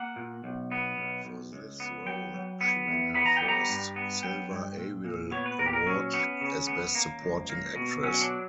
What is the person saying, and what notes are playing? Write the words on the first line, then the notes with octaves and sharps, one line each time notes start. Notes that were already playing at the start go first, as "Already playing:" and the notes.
For this role, she won her first Silver Ariel Award, as Best Supporting Actress.
Already playing: A#3 F#5
A#2
B1
B3
B1
B1
C#2
B3
F#3 G5
F#3
B3
E2
B3 B5
A#5
G5
G3
A#5
G2
B3
F#3 G5
G2
A#2
A#2
B3 C#5
B4
A#2 A#4
G4
A#4
F#3 C#4
B3
C#3
B3
A#3
C#2
A#3
B2
F#3 C#4
D4